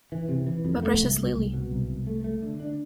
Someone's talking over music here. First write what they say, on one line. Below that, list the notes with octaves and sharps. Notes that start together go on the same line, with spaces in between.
My precious Lily!
E3
C3
E3
F2
A3
C2
C2
C2
B2
C2
C2
A3
A3
D3
D4